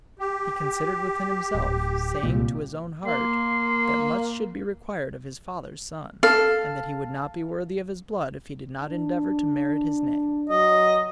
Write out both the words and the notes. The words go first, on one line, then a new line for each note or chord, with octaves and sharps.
He considered within himself, saying to his own heart, that much should be required of his father's son, and that he would not be worthy of his blood if he did not endeavour to merit his name.
G4
D1
C2 A#2
A#3 C6
A4 F5
D4
F#3 D#5